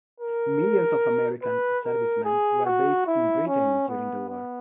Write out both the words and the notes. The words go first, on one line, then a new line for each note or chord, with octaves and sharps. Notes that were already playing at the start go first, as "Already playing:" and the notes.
Millions of American servicemen were based in Britain during the war.
A#4
B4
A#4
G#4
F#4
E4
C#4
B3
B3